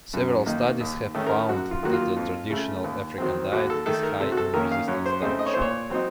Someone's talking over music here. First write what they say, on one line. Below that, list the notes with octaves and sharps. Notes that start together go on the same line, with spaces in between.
Several studies have found that the traditional African diet is high in resistant starch.
F#2
D#3 A#3 D#4
D#2
D#3 A3 C#4
A#4
F#2 F#4
F4
D#3 F#3 A#3 F#4
F4
F2
C#3 A3
D#2
D#3 F#3 C4
D#2 F#4
A4
D#3 A3 A4
A#4
C3 A4
F#4
A4
D#3 A#3 C#4 A#4
F5
F#2 C#5
C5
C#3 A3 C4 D#4 C5
D#5
C#5
C5
A#2
C#5
F#3 C4 D#4